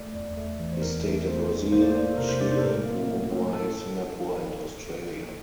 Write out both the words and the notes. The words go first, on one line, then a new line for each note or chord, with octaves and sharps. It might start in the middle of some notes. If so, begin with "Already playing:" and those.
He stayed in Brazil, Chile, Uruguay, Singapore and Australia.
Already playing: A3 D5
E2
A3
E3
C5
E2 A#4
A3
A3 C5
E2
A#3 C5
D5
A#3 C5
A4
C3 A#4
C5
C3 D5
C5
A4
A2 A#4
A#3
A2
A2
A4